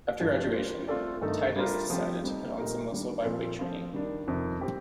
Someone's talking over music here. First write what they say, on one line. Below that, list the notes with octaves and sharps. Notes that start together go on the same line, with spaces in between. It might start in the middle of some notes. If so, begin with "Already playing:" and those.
After graduation Titus decided to put on some muscle by weight training.
G2 F3 A3
G3 A#3 F4 C5
A3 C4 F4 A4 D5
G2 D#3 A3 D#4 A4
G3 D4 F4 A#4
F3 A3 C4 G4
G3 C4 D#4
A#2 A3 D#4 G4 A#4
D#3 G3 D4
A#2 F3 C4 F4 A4
F3 C4 F4
D#3 G3 D4
F2 C3 D#3
C4 G4